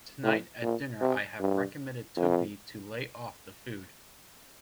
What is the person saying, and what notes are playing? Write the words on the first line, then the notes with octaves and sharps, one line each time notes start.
Tonight at dinner I have recommended Tuppy to lay off the food.
A2
A#2
C3
G2
F2